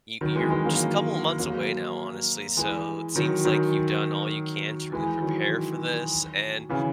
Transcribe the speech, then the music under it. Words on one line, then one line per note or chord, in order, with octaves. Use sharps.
you you're just a couple of months away now, honestly so it seems like you've done all you can to really prepare for this and
D#3 F#3
E3 G#3
E3 G#3
F#3 A#3
F#3 A#3
E3 G#3
D#3 F#3
D#3 F#3
E3 G#3
D#3 F#3
C#3 E3